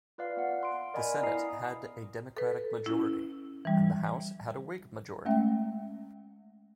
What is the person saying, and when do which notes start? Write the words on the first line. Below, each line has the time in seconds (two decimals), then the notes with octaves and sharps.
The Senate had a Democratic majority, and the House had a Whig majority.
0.18 F4 B4 D5 F5
0.37 B3 F#5
0.63 C6 D7
0.94 A#4 D5 D#5 F5 G#5 B5
1.22 B3 E4 A#5 D#6 C7
2.37 A4 B4
2.86 C#4 E4
3.65 E3 G3
5.25 G#3 A3 C#4 E5 G5